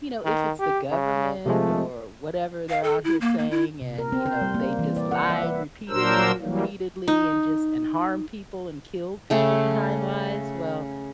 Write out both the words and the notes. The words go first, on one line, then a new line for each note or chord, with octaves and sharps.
you know, if it's the government or whatever they're out here saying and you know, they've just lied repeatedly, repeatedly and just and harmed people and killed people behind lies, well,
D#3
G4
C#3
C3 F3 G#3 A3
F5
A4
E4
A#3
A#3
E4
C3
A#4
C4
C5
G3
A#3
E3
D5
F#5
E5
B4
A#2 F#3 D4 A#4 C5 E6
E3 F#3 G3 A#3
D#4
C#3 A3 G5